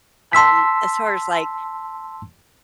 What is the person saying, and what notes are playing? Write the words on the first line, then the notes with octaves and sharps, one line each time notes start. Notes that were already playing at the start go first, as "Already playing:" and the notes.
Um, as far as, like
A5 C6 E6 B6